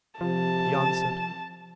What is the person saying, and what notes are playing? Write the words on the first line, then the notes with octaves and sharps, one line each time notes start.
He answered.
C3 F3 A5